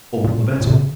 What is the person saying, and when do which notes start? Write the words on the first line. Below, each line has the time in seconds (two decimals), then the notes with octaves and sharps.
All the better.
0.24 A#2
0.61 A#2
0.67 C3
0.73 C#3